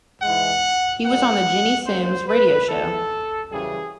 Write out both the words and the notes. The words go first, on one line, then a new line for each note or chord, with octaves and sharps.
He was on the Ginny Simms radio show.
G#2 E3 G#3 F#5
A#2 G3 B3 F#5
D3 F#3 A#3 C#4 C5
B4
G#2 E3 G#3 B3 A4
F#2 C#3 E3 G3 G#4